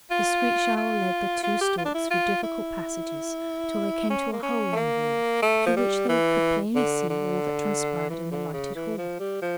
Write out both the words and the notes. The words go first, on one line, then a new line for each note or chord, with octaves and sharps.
The screech owl led the two storks through difficult passages till they came to a hole in the wall, through which they could plainly see all that transpired in the lighted hall.
F4
F4
F4
G4
F4
D4
E4
F4
E4
C#4
A#3
C#4
A3
A#3
A3
F3
G3
E3
D3
D3
E3
D3
C#3
E3
F3
G3
F3